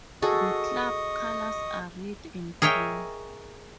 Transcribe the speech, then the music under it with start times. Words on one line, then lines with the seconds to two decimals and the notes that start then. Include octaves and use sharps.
The club colours are red and green.
0.22 F#4 G#4 A4 D#5 C#6 D#6
2.62 G#4 A#4 C#5 D#5 E5 G5